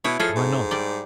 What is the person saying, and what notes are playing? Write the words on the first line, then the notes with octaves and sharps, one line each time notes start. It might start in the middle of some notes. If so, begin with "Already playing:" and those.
Why not?
B2 E4 C#5
F3 G#4 A4 C#5
G#2
G3 D5